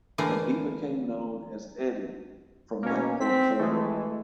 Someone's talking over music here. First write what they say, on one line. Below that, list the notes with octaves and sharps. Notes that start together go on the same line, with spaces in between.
And he became known as Eddy from that point forward.
D3 E3 A3 A#3
B2 A#3 C#4
C4 B6
E3 G#3 A3